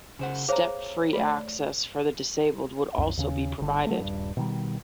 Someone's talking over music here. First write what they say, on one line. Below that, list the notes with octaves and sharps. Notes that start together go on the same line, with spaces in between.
Step-free access for the disabled would also be provided.
C#3 C5 F#5
G#4 C5 C#5 F5 A#5
A3 D5 B5
C2 F#2
D#2 C#3 C#4
G1 D3
F#3 G#3 A3
D#1 G2
B2 D#3 G3